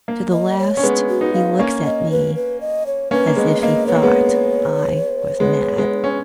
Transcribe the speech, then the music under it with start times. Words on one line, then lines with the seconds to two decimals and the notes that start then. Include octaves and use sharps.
To the last he looks at me as if he thought I was mad.
0.08 A#3
0.32 D#5
0.59 C#5
0.77 C#4
0.83 G#3 B3
1.09 F#4
1.21 B3 D#4
1.34 F5
1.59 A#3 C#4
1.85 D#5
2.11 B4
2.35 B4
2.61 D#5
2.86 C#5
3.11 A#3 C#4 B4
3.27 A#3
3.36 G#3 B3 D#5
3.62 A#3 D#5
3.87 B3 C#5
3.95 A#3
4.03 G#3 B3
5.40 G#3 B3
5.77 G#3 B3
6.04 C#4